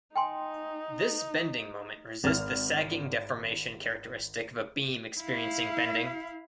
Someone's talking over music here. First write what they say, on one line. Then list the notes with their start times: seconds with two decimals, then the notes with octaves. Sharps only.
This bending moment resists the sagging deformation characteristic of a beam experiencing bending.
0.16 D#4 G5 G#5 C6
2.24 G#1 F6
5.21 E4 F5